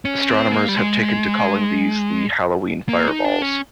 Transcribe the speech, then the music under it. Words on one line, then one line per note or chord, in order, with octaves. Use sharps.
Astronomers have taken to calling these the Halloween fireballs.
C#4
C4
A#3
G3
G#3
A#3
D#4
D4
C#4